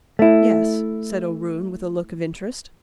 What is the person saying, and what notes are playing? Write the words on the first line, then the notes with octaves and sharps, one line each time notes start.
"Yes," said O'Roon, with a look of interest.
A3 E4